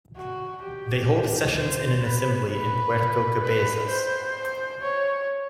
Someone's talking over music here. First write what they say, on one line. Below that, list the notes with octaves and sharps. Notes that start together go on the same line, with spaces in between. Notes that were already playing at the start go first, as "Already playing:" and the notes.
They hold sessions in an Assembly in Puerto Cabezas.
F#4
G4
C5
B4
B4
B4
C5
C#5